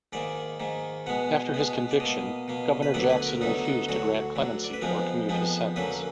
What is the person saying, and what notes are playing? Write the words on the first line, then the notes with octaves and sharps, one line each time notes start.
After his conviction, Governor Jackson refused to grant clemency or commute his sentence.
G#2 D#3 A#3 D5
G#2 D#3 A#3
B2 G#3 B3 F#5
B2 G#3 B3
D5
B2 A#3 D#5
B2 A#3
B4
D2 D3 F#3 B3 D5
B4
A#4
D2 D3 F#3 B3 D#4
D#4
D2 D3 F#3 F#4
D2 D3 F#3
D5
B4
F2 F3 G#3 B3 A#4
F2 F3 G#3 B3
F#2 D3 F#3 A#3 B4